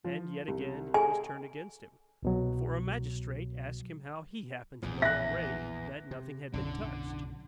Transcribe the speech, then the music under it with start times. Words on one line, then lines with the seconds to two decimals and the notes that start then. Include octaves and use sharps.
And yet again it was turned against him; for a magistrate asked him how HE happened to know already that nothing had been touched.
0.05 F3
0.48 C2
0.94 G#4 A4 G#5
2.23 C2 B2 F#3
4.83 A#1 E2 A2 F3
5.02 E5 F#6 A#6
6.11 C3
6.53 B1 F#2 A2 D3